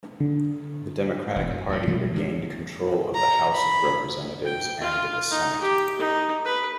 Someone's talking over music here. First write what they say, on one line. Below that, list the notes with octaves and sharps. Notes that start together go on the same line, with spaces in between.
The Democratic Party regained control of the House of Representatives and the Senate.
D3
E1 D2
F#2
D2 A2
B2 F3 G3 A3
D3 E3 G#3
A#5
B5
G5
F4
D#4
G4
D#4
B4